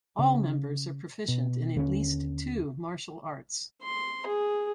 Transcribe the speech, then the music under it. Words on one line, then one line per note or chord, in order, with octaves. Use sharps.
All members are proficient in at least two martial arts.
C#3
B2
D#2 D3 C4 C#4
C6
G#4